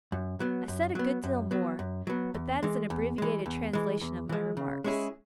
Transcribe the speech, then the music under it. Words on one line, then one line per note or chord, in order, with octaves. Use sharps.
I said a good deal more, but that is an abbreviated translation of my remarks.
F#2
F#3 B3
F#2
F#3 B3
F#2
F#3 B3
F#2
F#3 B3
E2
E3 G#3
E2
E3 G#3
E2
E3 G#3
E2
E3 G#3
C#3
G#3 C#4 E4 G#4